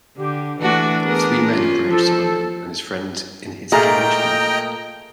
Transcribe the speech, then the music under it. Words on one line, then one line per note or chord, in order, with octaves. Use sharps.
Three men approached Simon and his friend in his garage working out.
D3 G4
E3 A3 D4 F#4
B3 G#4 A#4
C#4 F4
F3 A4
A#2 A3 A#3 G#4 D#5 G5 A#5